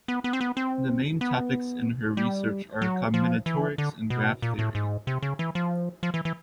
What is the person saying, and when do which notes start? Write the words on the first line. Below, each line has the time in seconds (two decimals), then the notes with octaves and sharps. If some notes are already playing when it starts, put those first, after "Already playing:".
The main topics in her research are combinatorics and graph theory.
0.08 B3
0.24 B3
0.33 C4
0.41 B3
0.57 C4
1.21 B3
2.17 G3
2.82 F#3
3.14 F3
3.46 E3
3.78 D3
4.10 B2
4.42 A#2
4.59 A2
4.75 G#2
5.07 C3
5.23 C#3
5.39 E3
5.55 F3
6.03 F3
6.14 E3
6.25 E3